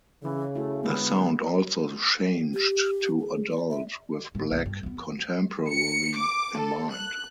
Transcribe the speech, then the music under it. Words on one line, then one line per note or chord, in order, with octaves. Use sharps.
The sound also changed to adult with black contemporary in mind.
C#3 E3
A3 E4 F#4
D3 G#3 B3
G4
G#4
D5
E5
G1 A2
G1 C2
G2
D#2 B3
E3
C#7
D6
A4
F#6